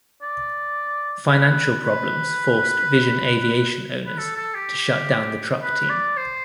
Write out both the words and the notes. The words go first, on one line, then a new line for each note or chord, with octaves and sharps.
Financial problems forced Vision Aviation owners to shut down the Truck team.
D5
B4
B4
B4
A4
A4
G4
B4
D5
C5